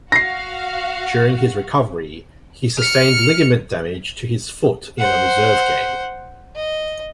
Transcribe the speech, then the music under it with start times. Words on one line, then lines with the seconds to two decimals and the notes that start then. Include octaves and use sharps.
During his recovery, he sustained ligament damage to his foot in a reserve game.
0.12 F#4 F5 A#6 C7
2.79 F6 C#7
4.98 C5 F#5
6.56 D#5